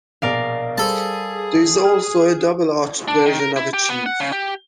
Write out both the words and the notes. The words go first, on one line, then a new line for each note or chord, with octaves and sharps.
There is also a double-arched version of a chief.
A#1 B2 G#4 A#4 D5 F5
G3 G#4 A4 C5 A5
D#6 F6
D4
D#3
A#4
E4
G4
B3
F#5
C#3
G4